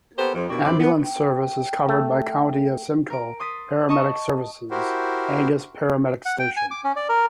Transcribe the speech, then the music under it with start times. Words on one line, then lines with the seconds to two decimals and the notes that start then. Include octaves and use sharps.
Ambulance service is covered by County of Simcoe Paramedic Services Angus Paramedic Station.
0.17 A#3 B3 G4 A4 A#4 C5
0.34 F2
0.50 B2 A#3 D4 E4 F#4 G4
0.64 F2 A2 E4 C5 D5
0.78 B3
1.03 G5
1.89 A3
3.10 A#4 D7
3.40 C6 D#6 A6 B6
3.89 D#5 A5 C#6 D#6
4.71 E4 F#4 G4 A#4 C5
6.25 F#5
6.39 G5
6.57 G#5
6.71 D6
6.84 C#4
6.96 D5
7.09 A#4